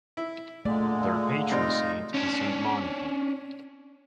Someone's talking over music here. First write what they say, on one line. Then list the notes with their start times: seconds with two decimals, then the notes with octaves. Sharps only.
Their patron saint is Saint Monica.
0.17 E4
0.65 A#2 D3 G#3 A3 D5
1.51 C3 G3 C4 D#4 F4 A#5
2.15 C#4 D4